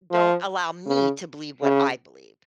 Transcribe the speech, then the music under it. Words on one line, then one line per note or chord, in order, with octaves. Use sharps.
don't allow me to believe what I believe,
F3
C#3
C#3